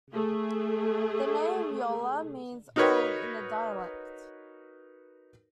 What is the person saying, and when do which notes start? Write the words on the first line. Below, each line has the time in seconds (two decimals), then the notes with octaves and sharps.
The name "Yola" means "old" in the dialect.
0.13 A3 G#4
2.76 D#4 F#4 A#4 B4 C#5